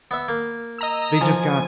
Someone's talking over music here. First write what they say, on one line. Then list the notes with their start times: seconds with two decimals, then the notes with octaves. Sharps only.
They just got
0.11 B3 E5
0.28 A#3
0.78 D#5 A#5 E6
1.21 F3 G#5